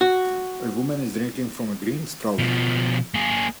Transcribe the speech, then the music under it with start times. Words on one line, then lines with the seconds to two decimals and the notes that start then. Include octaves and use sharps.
A woman is drinking from a green straw.
0.01 F#4
2.39 B2 F3
3.14 A#3 G#4